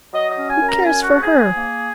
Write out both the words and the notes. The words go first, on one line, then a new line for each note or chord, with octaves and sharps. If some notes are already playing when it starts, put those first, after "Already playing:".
Who cares for her?
F#3 D#5
D#5
C#4
G#5
F#2
A#5
C#4 G#5
F#4
G#2
G#4
G#2
G#4
A#3